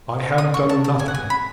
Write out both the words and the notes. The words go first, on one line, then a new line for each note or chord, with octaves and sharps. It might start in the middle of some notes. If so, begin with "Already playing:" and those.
I have done nothing.
D#6
C#6
A5
A5
G#5
F#5
G#5
B5